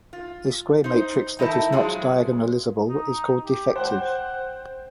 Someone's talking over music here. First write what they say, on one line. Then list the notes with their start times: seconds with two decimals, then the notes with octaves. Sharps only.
A square matrix that is not diagonalizable is called defective.
0.13 F4
0.84 D#4 C5
1.39 D#3 D#4 E4 A4 A5
1.72 F3 F#3 G#3 F4 G#4
2.89 D#4
3.44 G4
3.76 C5 F#5 G5 F#6